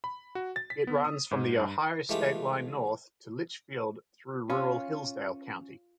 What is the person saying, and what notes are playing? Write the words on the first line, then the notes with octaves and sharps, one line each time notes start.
It runs from the Ohio state line north to Litchfield through rural Hillsdale County.
B5
F#4
A6
B6
B3
D#6
G#2
G2
E3 G#3 A3 F4 G4
C#4 F4